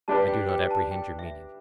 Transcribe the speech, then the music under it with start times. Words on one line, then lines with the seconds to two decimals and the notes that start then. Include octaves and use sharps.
I do not apprehend your meaning.
0.08 G3 D4 G4 B4 A5
0.28 G5
0.49 G5
0.71 A5
0.91 G5
1.19 E5